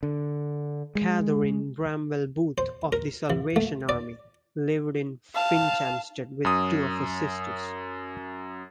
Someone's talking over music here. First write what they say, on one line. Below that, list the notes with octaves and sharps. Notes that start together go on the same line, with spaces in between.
Catherine Bramwell-Booth, of the Salvation Army, lived in Finchampstead with two of her sisters.
D3
G#3
C5
A#4
E3
A3
D5
F5 A5
F#2 D#6